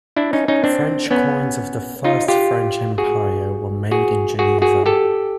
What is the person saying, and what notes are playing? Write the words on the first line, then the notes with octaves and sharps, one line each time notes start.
French coins of the First French Empire were made in Geneva.
D4 E4
C#4 D#4
C#4 D#4
C4 D4
B3 C#4
D#4 F4
F4 G4
F#4 G#4
F#4 G#4
F#4 G#4
F#4 G#4
G4 A4